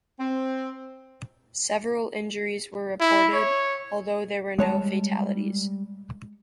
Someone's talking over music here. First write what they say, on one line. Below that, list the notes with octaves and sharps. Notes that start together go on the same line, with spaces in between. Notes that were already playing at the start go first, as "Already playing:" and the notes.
Several injuries were reported, although there were no fatalities.
C4
E4
C#5
G3 G#3 C#5 A5